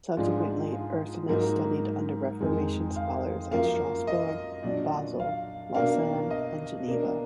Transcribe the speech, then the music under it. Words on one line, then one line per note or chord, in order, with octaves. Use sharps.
Subsequently, Ursinus studied under Reformation scholars at Strasbourg, Basel, Lausanne, and Geneva.
G#2 F3 G#3 D4 F4
F4
G#2 F#3 A#3 D#4
F2 D#3 G#3 D#4
F5
F#2 F3 A#3 F5
D#5
A#2 F#3 D4 D5
F5
B2 A#3 D4 F5
D#5
B2 A#3 D4